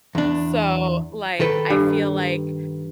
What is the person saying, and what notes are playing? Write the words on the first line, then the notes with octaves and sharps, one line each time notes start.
so, like, I feel like
E2 D4
D#3 A4 B4
G2